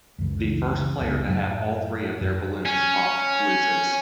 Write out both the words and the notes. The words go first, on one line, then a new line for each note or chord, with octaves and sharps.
The first player to have all three of their balloons popped loses.
C#2 F#2 C#3 E3
C#3
F#1 C#2 B3
F#2 A2 F#3
F#2
C#4